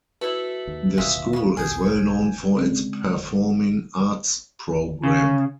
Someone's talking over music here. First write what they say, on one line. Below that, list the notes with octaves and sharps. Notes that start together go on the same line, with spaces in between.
The school is well known for its performing arts program.
A3 E4 F#4 B4
D#2
D1 B2 F4 G#4 E5
C#3 E3 B3
B1 G#4 G#5 G6 G#6
C#3 G#3 C4 D4
C#3